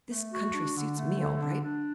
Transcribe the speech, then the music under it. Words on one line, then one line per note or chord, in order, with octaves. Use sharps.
This country suits me all right.
A3
F#4
D4
D3
A3
D3
D4
D4